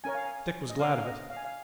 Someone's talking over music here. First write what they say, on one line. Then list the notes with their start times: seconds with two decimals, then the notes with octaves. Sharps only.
Dick was glad of it.
0.04 C#4 A#4 C#5 G#5
0.15 F5
0.25 G#5
0.70 D#5
0.80 C#4 A#4 C#5 F5
0.92 F5
1.04 D#5
1.30 F5
1.37 G#5
1.45 F5